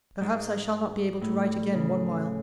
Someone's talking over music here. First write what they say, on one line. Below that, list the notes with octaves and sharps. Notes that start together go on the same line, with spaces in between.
Perhaps I shall not be able to write again one while.
G#2
A2
C#3